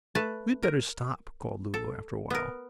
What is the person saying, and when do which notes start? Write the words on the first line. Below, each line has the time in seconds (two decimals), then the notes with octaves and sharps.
"We had better stop," called Lulu, after a while.
0.15 A3 B4 A5
0.63 A#4
1.74 A4
2.30 B3 A#4